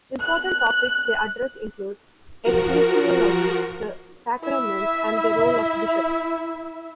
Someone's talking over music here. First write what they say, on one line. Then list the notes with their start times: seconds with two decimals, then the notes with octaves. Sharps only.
Important topics they address include ecclesiology, the sacraments, and the role of bishops.
0.22 F#6
2.45 F3 F#4 A#4
4.40 E4 E5